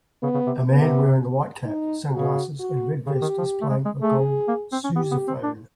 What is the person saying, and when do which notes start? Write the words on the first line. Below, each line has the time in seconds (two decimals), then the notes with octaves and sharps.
A man wearing a white cap, sunglasses, and red vest is playing a gold sousaphone.
0.23 C#3 B3
0.34 C#3
0.47 C3
0.58 C3
0.70 C3 B3
1.65 D#4
2.11 C#3 F#4
2.59 F#4
3.06 C#3 G4
3.22 D#3
3.38 F3
3.61 A3
3.70 G#3
3.85 G#3
4.01 A3 G#4
4.48 A#3
4.72 C4
4.84 C#4
4.96 B3 G4
5.11 B3
5.28 C4
5.43 D4